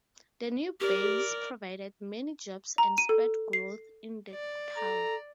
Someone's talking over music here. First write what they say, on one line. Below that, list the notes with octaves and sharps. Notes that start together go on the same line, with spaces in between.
The new base provided many jobs and spurred growth in the town.
G4 A#4 D5
A#5
D#7
A4
C7
D5
A4 A#5